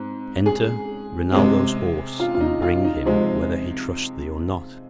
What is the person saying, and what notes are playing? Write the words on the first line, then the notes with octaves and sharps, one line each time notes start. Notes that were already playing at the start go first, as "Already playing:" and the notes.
"Enter Rinaldo's horse, and bring him, whether he trust thee or not."
Already playing: G#2 C4
G#4
C3 G#3 C4
F4
F4
D#4
F4
D#4
C3 F3 G#3 C4